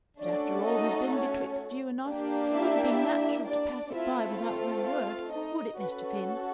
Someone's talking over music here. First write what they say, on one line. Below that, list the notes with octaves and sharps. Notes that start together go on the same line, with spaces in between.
But after all there's been betwixt you and us it wouldn't be natural to pass it by without one word; would it, Mr. Finn?
A3 C#4 D4 F#4 A4 D5
D#4 D#5
C#4 C#5
A#3 D4 G4
E4 E5
D4 D5
A3 C4 E4 F4 A4 E5
F4 F5
F4 F5
D#4 D#5
C#4 F#4 A4 B4